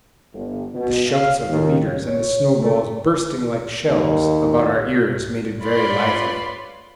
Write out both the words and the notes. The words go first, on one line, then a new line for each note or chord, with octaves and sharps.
The shouts of the leaders, and the snowballs bursting like shells about our ears, made it very lively.
G1
B2
F5
D#2
C#5
A3
D#2
F4 B4 C#5 D5 B5 C6